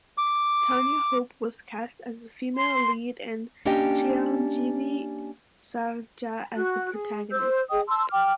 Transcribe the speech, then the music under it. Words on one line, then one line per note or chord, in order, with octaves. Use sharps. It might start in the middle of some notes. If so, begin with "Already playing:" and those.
Tanya Hope was cast as the female lead and Chiranjeevi Sarja as the protagonist.
D6
C6
A#3 C#4 D4 G4 D#5 G5
F#4 F#6
G#4
C5 E6 G6
G#4 D#5 G5 D#6
A5 C6 E6
G5 D6 F6